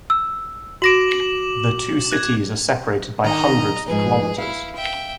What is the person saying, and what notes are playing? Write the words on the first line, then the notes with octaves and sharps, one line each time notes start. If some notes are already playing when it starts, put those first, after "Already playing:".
The two cities are separated by hundreds of kilometers.
E6
F#4 D6 A#6 D7 E7 F#7
F#6 G#6
D#3 D4 D#5 A#5
G#2 F3 G#4 B4
E4 F5
E5 G5